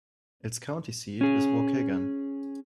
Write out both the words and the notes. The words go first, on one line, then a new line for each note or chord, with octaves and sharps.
Its county seat is Waukegan.
C#4 G#4